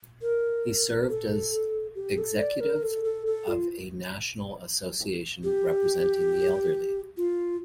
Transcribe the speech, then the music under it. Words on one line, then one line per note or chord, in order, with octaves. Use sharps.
He served as executive of a national association representing the elderly.
A#4
A4
G4
A4
D5
A#4
A4
A4
A4
F4
G4
F4